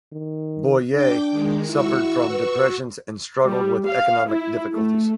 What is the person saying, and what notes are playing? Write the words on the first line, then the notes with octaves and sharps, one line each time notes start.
Boye suffered from depressions and struggled with economic difficulties.
D#3
D4 G5 D6 G6
D#3 G#3
E4 F#4 C#6 E6
B4
G3
F5
E4
A3